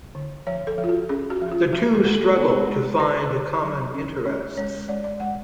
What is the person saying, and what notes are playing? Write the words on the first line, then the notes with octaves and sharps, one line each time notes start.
The two struggle to find common interests.
D3
F3 C#5
A4
F3
F4
F#4
C#4 G#4
F#4
F3
F4
F3 F#4
A4
G#3
A4
B3
G#3
D3 B4
D3
F#3
C#4
C#4 C#5
G#3 C#5
G#3 D5
D5
G#3 F#5